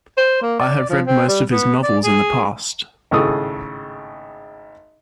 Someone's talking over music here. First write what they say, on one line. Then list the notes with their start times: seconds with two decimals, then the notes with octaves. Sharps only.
I have read most of his novels in the past.
0.18 C5
0.42 A#3
0.60 D5
0.90 F3
1.07 C4
1.28 G3
1.51 B3
1.83 D5
2.04 G#4
3.11 G#1 A2 C#3 A4 D#6